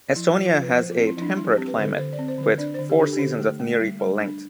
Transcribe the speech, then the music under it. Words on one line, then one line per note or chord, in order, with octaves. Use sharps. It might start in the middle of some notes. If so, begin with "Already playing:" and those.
Estonia has a temperate climate, with four seasons of near-equal length.
F3 E4
F4
F3
F4
F3 B4
F3 C5
F4
C4
E4
F3 D4 E4
G3 E4
G4
C4
B4
D3 A4
D3 C5
D5
C4
C5
D3 B4
D4 D5
D3 C5
G4
D4 A4
G4
D3 A4
A3
A3
G3
G3
D4